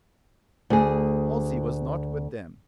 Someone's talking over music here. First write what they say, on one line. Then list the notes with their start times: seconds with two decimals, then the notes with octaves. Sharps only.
Halsey was not with them.
0.70 D2 G#4